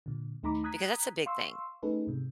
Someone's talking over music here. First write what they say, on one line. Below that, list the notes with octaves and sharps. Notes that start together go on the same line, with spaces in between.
because that's a big thing.
A#2 D3
D#2 A3 D#4 A#5 B5 D6
A#5 D#6 F#6 G#6 B6
F5 C6 C#6 E6
A3 C#4 D#4 G#4 A4 B4
G#2 C3